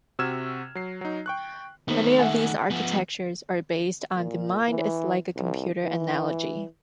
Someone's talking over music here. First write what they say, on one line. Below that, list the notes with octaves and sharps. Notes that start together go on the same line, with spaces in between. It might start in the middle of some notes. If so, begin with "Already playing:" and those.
Many of these architectures are based on the-mind-is-like-a-computer analogy.
C3 F#4 E6 F6 G#6 E7
F#3 C7
F#3 D#4
G5 C#6 F#6
D#3 A3 B3 D#4 C5
E5 F#5 G#5
F3 B3
A#2
E3
C2
E3